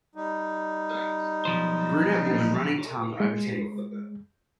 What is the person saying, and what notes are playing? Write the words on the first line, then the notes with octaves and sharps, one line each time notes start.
Brunette woman running tongue over teeth.
G3 D#4
B1 F3 C5
G#3